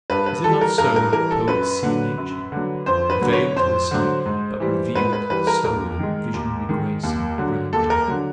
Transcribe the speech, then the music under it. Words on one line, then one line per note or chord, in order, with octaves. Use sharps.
Is it not so, that poets see nature, veiled to the sight, but revealed to the soul in visionary grace and grandeur!
G2 B4
B4
E3 G3 A4
A#4
G2 A#4
A#4
E3 G3 A#4
A4
F#2 B4
D3 F#3
F#2
D3 F#3
F2 C5
B4
D3 F#3
C#5
F2 C5
D3 F#3
G#2
E3 G3
G#2 B4
B4
E3 G3 B4
A#4
D#2 A#4
D#3 G#3
D#2
D#3 G#3
D#2
D3 F#3
D#2 A4
A#4
D3 F#3